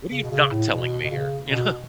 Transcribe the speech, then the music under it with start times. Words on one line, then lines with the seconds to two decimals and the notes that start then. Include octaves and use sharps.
"What are you not telling me here?" You know?
0.11 C#3
0.23 B2
0.31 C#3
0.51 A2
0.71 B2
1.05 B2
1.10 C#3
1.49 B2